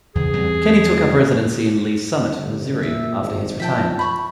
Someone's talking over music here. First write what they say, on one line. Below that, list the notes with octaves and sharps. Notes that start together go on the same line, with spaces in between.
Kenney took up residency in Lee's Summit, Missouri after his retirement.
E2 C#3 G#4
E2 G3 C4
G1
A#2 E5
G#1
F3 E5 G5 A5
B5 C#6